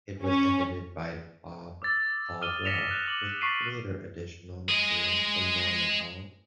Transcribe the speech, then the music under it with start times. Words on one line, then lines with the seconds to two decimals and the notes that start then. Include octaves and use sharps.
It was edited by Bob Caldwell with later additional material from Norman Hull.
0.23 C#4
1.82 D6 E6 A6
2.41 D6 D#6 F6 D#7 G7
2.65 A#6 B6 C#7 E7 F7 G7
2.91 F#6 A#6 E7
3.08 D6 F#7
3.41 C#6 A6 B6 C7 D7 D#7
4.69 G#3 G#4